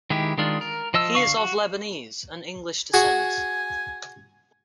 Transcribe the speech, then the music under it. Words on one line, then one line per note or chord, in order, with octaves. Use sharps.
He is of Lebanese and English descent.
D#3 G#3 E4 G4
D#3 G#3 D4 F4
A#4
F3 D#5 A5 E6
D3 F5 C#6
F#4
F#4 G#4 G#5